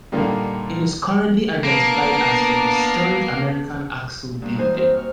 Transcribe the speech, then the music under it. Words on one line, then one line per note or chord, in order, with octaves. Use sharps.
It is currently identified as the Historic American Axle Building.
A#2 D3 D#3 G3 A#3
A#3 B3 D4
G2 A#3
F#2 E3 D#4 C5 G#5
C4 F#4 A#4 C5
C#6 F6